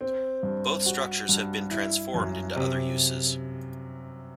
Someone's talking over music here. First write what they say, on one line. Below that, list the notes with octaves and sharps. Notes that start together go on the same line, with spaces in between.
Both structures have been transformed into other uses.
C4
G2
F#4
G2
E4
F#2
C3